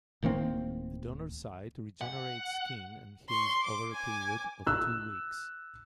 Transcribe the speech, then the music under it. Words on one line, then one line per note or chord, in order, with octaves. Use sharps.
The donor site regenerates skin and heals over a period of two weeks.
D1 D#3 A#3 C4
F#5
C6 C#6
D6
G#5 D6
E6 F#6